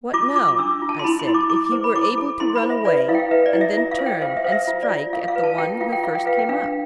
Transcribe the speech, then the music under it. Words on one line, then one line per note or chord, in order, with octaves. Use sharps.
What, now, I said, if he were able to run away and then turn and strike at the one who first came up?
F4 D6
F4 D6
D6
D4 E6
F4
A5
C6
E4 B5
C6
E4
D6
E4 D6
C5
B5
E4 D6
A4
E4 C6
B5
C5
E5
B4 D5
E5
E4 F5
G5
F5
B4 E5
D5
E4
E5
F4 E5
F5
C5
G5
C5 F5
E5
C5 F5
E5
F4
D5
F4
F4 F5
F5
B4
A5
F4 G5
F4 F5
G5
F4 F5
G5
B4 F5
G5
D4 F5